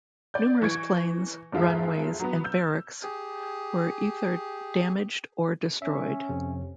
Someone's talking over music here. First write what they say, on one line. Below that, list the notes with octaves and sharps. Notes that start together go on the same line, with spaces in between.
Numerous planes, runways and barracks were ether damaged or destroyed.
D5 G6
E3 C#6 G#6 D7
F1 G#2 F4 G#4 E5
F#3 B3
E6 G6
G4 G#4
C#4 E5
F2 C3